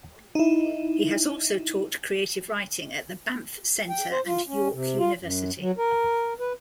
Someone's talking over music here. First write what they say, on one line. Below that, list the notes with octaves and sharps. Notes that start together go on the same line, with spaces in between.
He has also taught creative writing at the Banff Centre and York University.
D#4 E4
G5
C5
F4
C#4
C3
F4
F#2
F#3
A#4
B4